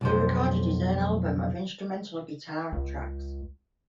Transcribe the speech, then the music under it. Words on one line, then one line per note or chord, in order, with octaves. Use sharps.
He recorded his own album of instrumental guitar tracks.
B1 F2 C5
C#2